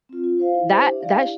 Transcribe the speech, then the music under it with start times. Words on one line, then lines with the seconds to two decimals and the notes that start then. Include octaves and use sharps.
that that sh
0.09 C4 F4
0.24 F4
0.39 C5 F5
0.54 E4
0.70 G4 C5 E5
0.85 D4
1.01 G4 D5 F5
1.16 E4